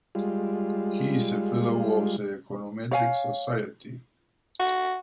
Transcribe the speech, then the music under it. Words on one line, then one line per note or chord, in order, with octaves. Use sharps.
He is a fellow of the Econometric Society.
G3 G#3 F4
C#5 F5 G#5
F#4